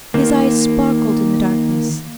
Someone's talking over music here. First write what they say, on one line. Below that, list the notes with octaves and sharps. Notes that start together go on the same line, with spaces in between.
His eyes sparkled in the darkness.
D#3 A#3